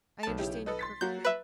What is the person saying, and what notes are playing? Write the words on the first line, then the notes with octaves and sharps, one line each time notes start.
I understand you perfectly.
B1 A5
C#3 E4 G4
A4 B4 D#5
C6 A6 B6
F#3 A#3 F#4 G6
B4 E5